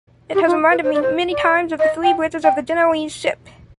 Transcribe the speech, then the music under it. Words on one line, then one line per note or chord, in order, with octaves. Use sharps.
It has reminded me many times of the three bridges of the Genoese ship.
G4
F4
B4
C5
D5
C5
D5
D#5
G5
G5